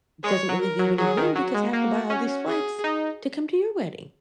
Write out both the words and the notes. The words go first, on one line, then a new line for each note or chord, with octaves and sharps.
doesn't really leave any room because I have to buy all these flights to come to your wedding.
G#3 C#5
F#3
A#4
F#3
F#3 G#4
D#3
F#3 F#4
G#3
A#3
C#4
G#4
D#4